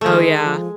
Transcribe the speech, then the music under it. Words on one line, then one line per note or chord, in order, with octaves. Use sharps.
Oh, yeah.
D#3 G#3 A3
F3